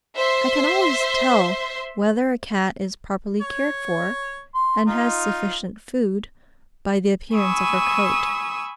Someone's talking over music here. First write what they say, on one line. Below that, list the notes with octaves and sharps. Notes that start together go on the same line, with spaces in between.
I can always tell whether a cat is properly cared for, and has sufficient food, by the appearance of her coat.
C5 E5 C6
C#5
C6
D#4 F4
G#5 B5 C#6 D#6 E6